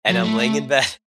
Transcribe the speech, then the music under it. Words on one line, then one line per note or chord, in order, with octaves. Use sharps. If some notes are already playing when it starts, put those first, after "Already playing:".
and I'm laying in bed
F#3
A3
A3